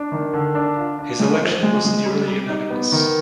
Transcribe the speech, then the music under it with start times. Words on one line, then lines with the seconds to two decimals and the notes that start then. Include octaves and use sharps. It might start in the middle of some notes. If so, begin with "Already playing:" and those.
His election was nearly unanimous.
Already playing: D4
0.12 D#3
0.34 D3
0.55 D4
0.77 F4
0.98 D4
1.19 G#3
1.41 F3
1.63 G#3
1.85 G#3
2.06 G3
2.28 G3
2.49 D#4
2.70 B3
2.92 D#3